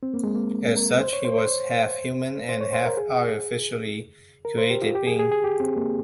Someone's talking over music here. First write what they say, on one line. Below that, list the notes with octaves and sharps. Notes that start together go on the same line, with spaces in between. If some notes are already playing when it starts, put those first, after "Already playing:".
As such, he was half human and half-artificially created being.
C4
A#3
G#3
A#3
A#4
C5
C#5
C5
C#5
C5
C5
C#5
C5
A#4
G#4
A#4
C5
G4
F4
G4
G#4
G#4
G#4
G4
C4
A#3